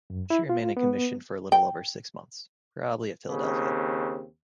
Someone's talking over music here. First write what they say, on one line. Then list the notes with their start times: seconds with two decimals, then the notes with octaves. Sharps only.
She remained in commission for a little over six months, probably at Philadelphia.
0.10 F#2
0.30 E4
0.49 F4
0.77 B3
1.52 G5
3.29 D#2 C#3 C4